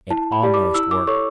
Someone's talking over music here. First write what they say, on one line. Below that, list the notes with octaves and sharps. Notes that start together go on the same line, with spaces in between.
It almost worked.
E4 A5
B5
G4 D5
D6
E4 E6
D6
A4 C#5 C#6